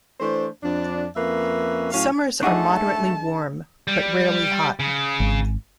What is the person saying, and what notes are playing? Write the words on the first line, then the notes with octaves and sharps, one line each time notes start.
Summers are moderately warm but rarely hot.
E3 A3 D4 C5
F2 D4
F2 A#3 C#4 B4 E5
A2 F#3 C#4 F5
A3 D4 D#4 G#4 D#5 F#5 A5 C#6
G3
C#3
G#1